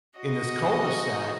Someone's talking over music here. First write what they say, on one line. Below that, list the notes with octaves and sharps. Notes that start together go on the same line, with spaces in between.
in this cul de sac,
F#4 D#5